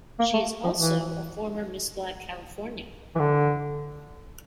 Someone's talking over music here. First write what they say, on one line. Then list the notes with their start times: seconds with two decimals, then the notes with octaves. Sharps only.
She is also a former Miss Black California.
0.19 A#3
0.34 A3
0.64 F3
0.79 E3
3.15 E3
3.19 D3